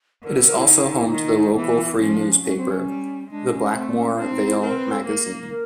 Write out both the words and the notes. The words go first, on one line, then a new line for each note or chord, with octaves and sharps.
It is also home to the local free newspaper, the Blackmore Vale Magazine.
D3 A#4
B4
A#4
E4
D#4
E4
D#4
E4
D#4
D#3
E3 B3
F3 C#4
D4
C#4
F#3 C#4
C4
C#4
G3
G#3 D4
C#4
A3 C4
C#4
C4 D4
D#4
E4
C4 A#4
B4
A4
A#3 A#4
A#4